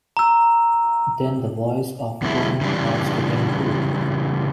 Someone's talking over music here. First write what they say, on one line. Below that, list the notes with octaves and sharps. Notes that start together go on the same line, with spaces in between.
Then the voice of Groma calls to him too.
A#5 E6
E2 B2 D3 F#3 G#3 E4
C#3 E3 G3 D4